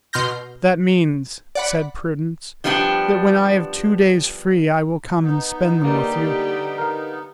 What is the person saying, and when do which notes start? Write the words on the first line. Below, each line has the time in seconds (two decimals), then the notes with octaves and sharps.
"That means," said Prudence, "that when I have two days free I will come and spend them with you."
0.13 B2 C6 F6 G6 A#6
1.55 D5 F#5 B5
2.64 F3 G3 B3 D4 F#4 G4
5.22 B3 D#4
5.84 D3 G3 A#3 G4
6.78 A#4 F5